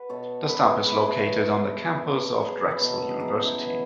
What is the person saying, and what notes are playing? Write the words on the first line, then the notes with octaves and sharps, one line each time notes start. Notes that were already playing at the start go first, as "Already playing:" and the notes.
The stop is located on the campus of Drexel University.
Already playing: F#4 B4
B2 A4 C#5
F#3 G#4 B4
A3 G#4 B4
G#4 B4
B2 A4 C#5
A4 C#5
A3 G#4 B4
B2
F#3 G#4 B4
B4
B2 F#4 A4
G#4
B3 D#4 F#4
C#4 E4
B2 E4 G#4